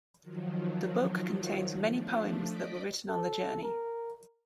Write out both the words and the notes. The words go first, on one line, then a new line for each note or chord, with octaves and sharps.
The book contains many poems that were written on the journey.
D#3 F3 F#3
F3 A3 D4
D5 D#5 D6 B6
A4
A#4